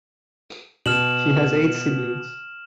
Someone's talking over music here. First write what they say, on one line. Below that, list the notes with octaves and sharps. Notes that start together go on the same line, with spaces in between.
She has eight siblings.
B2 F6 E7 F#7